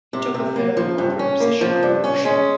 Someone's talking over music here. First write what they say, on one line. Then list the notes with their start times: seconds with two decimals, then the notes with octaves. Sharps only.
He took a fairly moderate position on abortion.
0.13 C3
0.34 C3
0.56 A#3
0.77 F3
0.98 G2
1.19 C#4
1.40 A#3
1.61 F3
1.83 G2
2.04 C#4
2.25 G#3 C#4